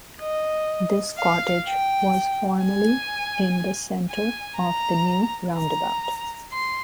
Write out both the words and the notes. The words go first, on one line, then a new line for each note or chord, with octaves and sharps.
This cottage was formally in the centre of the new roundabout.
D#5
F5
G5
G#5
G#5
A#5
A#5
C6